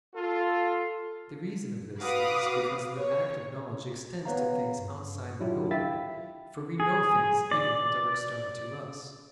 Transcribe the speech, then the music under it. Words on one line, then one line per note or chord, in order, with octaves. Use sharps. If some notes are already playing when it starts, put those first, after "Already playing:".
The reason of this is, because the act of knowledge extends to things outside the knower: for we know things even that are external to us.
F4 A4
F#4 B4 F5 D6 D#6
C#5
B3 B4 C#5 F5 A#5
G2
F#3 D4 E4 F4 G4
E4 E5 F5 G5 A6 B6
G#4
D5